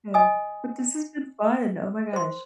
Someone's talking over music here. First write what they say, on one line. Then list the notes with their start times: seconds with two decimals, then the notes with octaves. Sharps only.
Eh, but this has been fun, oh my gosh.
0.14 D#5 G#5 D#6
2.13 C5 C6